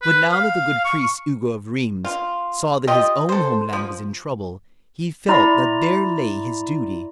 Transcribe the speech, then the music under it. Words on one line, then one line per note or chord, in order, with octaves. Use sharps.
But now that the good priest Ugo of Rheims saw that his own home land was in trouble, he felt that there lay his duty.
B4
F5
C#6
F4
F4 G4 D#5
A4 C5
F3
E4 D5 A#5 C6